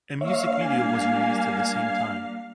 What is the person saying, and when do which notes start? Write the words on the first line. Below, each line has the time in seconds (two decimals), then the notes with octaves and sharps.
A music video was released at the same time.
0.21 G3 A#3 D4 C#5 E5 F5
0.61 G#5